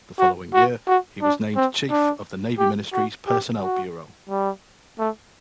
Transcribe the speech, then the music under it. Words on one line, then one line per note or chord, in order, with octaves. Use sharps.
The following year, he was named chief of the Navy Ministry's Personnel Bureau.
F#4
F#4
F#4
D4
C4
D4
G4
F#4
G4
F#4
G3
A3